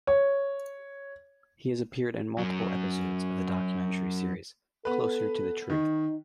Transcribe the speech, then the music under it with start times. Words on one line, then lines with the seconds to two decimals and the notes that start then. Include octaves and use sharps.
He has appeared in multiple episodes of the documentary series Closer to Truth.
0.07 C#5
2.38 F#2 F#3
4.85 B3 A4 B4
5.70 D#3 D#4